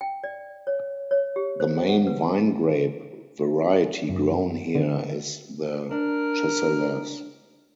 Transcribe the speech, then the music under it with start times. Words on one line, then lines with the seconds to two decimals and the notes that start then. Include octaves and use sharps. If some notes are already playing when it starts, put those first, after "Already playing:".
The main wine grape variety grown here is the Chasselas.
0.01 G5
0.24 D5
0.67 C#5
1.11 C#5
1.36 G4
1.60 C5
1.89 F#5
2.07 B4
4.09 F#2
4.75 D3
5.91 D4 A#4